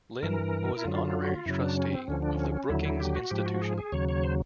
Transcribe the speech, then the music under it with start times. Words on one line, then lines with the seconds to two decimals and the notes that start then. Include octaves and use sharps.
Lynn was an honorary trustee of the Brookings Institution.
0.23 G2 E3 A#4
0.77 E4
0.84 F#2 D3 F#3 F4
1.22 F#4
1.34 F4
1.46 F#2 C#3 F#3 E4
1.62 D4
1.77 C#4
1.93 C4
2.08 D2 D3 F3 C#4
2.22 D4
2.35 C#4
2.69 D#2 D3 F#3 E4
2.85 E4
3.00 G4
3.15 F#4
3.30 G#2 F3 G4
3.46 F#4
3.62 G#4
3.78 G#4
3.92 D#2 C#3 F#3 C#5
4.09 C#5
4.24 C5